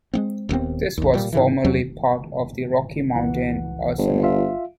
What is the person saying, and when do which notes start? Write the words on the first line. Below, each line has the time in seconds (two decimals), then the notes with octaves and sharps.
This was formerly part of the Rocky Mountain Arsenal.
0.14 G#3 B3 C4
0.49 D#1 D#2 B3 C4
0.98 G#1 D#2
1.14 A#2 G3
1.33 G#2 C#3 E3
1.65 E2 F#3 C#4
3.15 C#2 E3 F#5
3.98 G1
4.23 F4 E5 F5